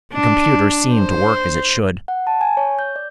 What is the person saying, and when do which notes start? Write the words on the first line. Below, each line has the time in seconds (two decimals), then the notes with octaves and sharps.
The computer seemed to work as it should.
0.13 D4
0.94 C5
2.08 F#5
2.27 A5
2.41 G#5
2.57 C#5
2.79 G6
2.96 D5